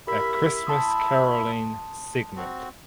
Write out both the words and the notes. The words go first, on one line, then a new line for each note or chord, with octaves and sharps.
A Christmas Caroling segment.
E4 G4 A#4 E5 B5 B6
A5 C6 D#6
C4 F#4